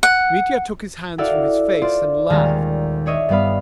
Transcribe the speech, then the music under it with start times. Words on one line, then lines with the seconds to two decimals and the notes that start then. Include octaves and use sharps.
Mitya took his hands from his face and laughed.
0.03 F#5
1.18 E4 F#4 A4 D5 F5 E6
1.82 F4 C5 D5
2.30 D#1 D#2 G#3 F5 A#5
3.06 D4 C#5 D#5 E5
3.29 G2 G3 B3 F5 B5